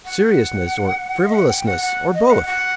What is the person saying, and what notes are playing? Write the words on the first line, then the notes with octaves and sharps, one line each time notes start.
Seriousness or frivolousness or both.
F#5
D#5
F#5
G5
F#5
F#5
D#5
F#5
F#5